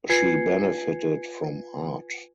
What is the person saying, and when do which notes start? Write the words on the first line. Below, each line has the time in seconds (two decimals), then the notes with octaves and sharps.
She benefited from Art.
0.09 F4 B4 G#5 G#6 C7 C#7